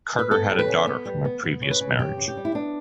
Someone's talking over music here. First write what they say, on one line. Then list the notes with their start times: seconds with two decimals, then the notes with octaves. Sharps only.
Carter had a daughter from a previous marriage.
0.19 B4
0.31 B3 A4
0.49 G3
0.59 B4
0.68 C#3
0.87 B3
1.06 G3
1.25 B3
1.43 B3
1.62 C#3
1.71 B4
1.81 C#3
1.99 C#3 G4
2.17 C#3
2.28 G4
2.37 G3
2.45 E4
2.55 B3 D4